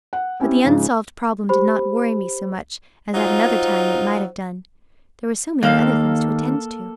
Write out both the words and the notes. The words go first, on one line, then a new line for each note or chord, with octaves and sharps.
But the unsolved problem did not worry me so much as at another time it might have done, there were so many other things to attend to.
F#5
C4 C#4 E4 G4
G#2 C#3 F3 G#3
G4 C5 B5
F#3 D#4 F4 C5
D#2 A#3 A4 F5